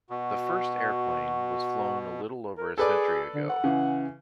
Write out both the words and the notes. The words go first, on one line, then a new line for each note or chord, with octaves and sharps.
The first airplane was flown a little over a century ago.
B2 F#4
A#4
G#4 A4 B4 D5
D3
F#5
C#3 E3